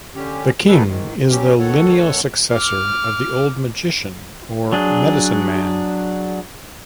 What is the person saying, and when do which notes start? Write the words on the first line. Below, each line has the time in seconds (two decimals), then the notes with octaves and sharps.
The king is the lineal successor of the old magician or medicine-man.
0.15 D3 C#4 G4
0.68 D#3 F3 D#4 G#4 A4 B4
0.87 G#2 D#3
1.31 F#3 G3 C#4 G4
1.59 D2 D#3 A4 C#5 F#5
2.52 D6 F6
4.72 F#3 D4 G#4